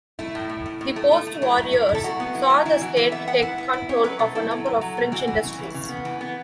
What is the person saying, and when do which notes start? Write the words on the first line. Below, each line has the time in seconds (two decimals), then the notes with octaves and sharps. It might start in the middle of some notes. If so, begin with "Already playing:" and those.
The post-war years saw the state take control of a number of French industries.
0.19 A3 E4
0.35 A2
0.49 A2
0.66 A2
0.81 A2
0.96 A3
1.12 A3
1.27 A3
1.42 F#3 E4
1.58 F#3
1.73 A2
1.89 E4
1.95 A4
2.04 F#3 F#4
2.20 B3
2.35 E4
2.50 F#3
2.66 E3 E4
2.81 E3 F#4
2.97 E3 B4
3.12 B3 E5
3.27 B3 F#5
3.42 E4
3.58 B3
3.73 E4
3.89 C#4 C#5
4.04 F#3 B4
4.19 B2 A4
4.35 E4 A4
4.51 F#3
4.66 F#3
4.81 F#3
4.97 B2
5.12 E3 F#4
5.27 E3
5.43 C#3
5.59 E3
5.74 C#3
5.89 B3
6.05 E3
6.21 B3